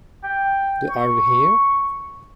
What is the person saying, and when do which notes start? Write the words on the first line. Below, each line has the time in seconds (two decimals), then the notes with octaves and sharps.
The Are We Here?
0.24 G5
0.90 C#6